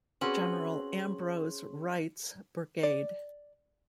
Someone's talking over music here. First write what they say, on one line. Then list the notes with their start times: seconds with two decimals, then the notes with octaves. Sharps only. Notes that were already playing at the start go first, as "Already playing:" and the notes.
General Ambrose Wright's brigade.
0.21 C4 C#4 F#4 G#4 B4 C6 F#7
2.83 D5